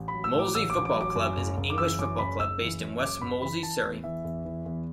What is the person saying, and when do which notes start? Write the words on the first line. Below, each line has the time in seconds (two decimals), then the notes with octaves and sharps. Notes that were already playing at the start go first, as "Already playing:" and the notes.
Molesey Football Club is an English football club based in West Molesey, Surrey.
Already playing: A1
0.08 B5
0.14 F#3
0.24 E6
0.34 A2
0.39 D6
0.55 A1 E6
0.70 D6
0.76 A1
0.85 D6
0.96 F#3 D6
1.16 F#2
1.37 F#1
1.57 F#1
1.70 D6
1.78 E3 E6
1.99 F#2 D6
2.19 F#1 B5
2.39 F#1 E6
2.61 E3
2.80 F#2
3.01 F#1 D6
3.22 F#1 B5
3.42 E3 B5
3.63 E3 A5
3.83 E2
4.04 E3 E5
4.24 E2
4.45 E3
4.66 E2